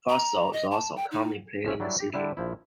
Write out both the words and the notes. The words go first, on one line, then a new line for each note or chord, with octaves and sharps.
Futsal is also commonly played in the city.
A#5
D#5
A5
G5
D#4
A#1 F3 C#4 E5
F#3 G3 D4 E4
G4
D3 G3 D4 E4
A#1 F3 E4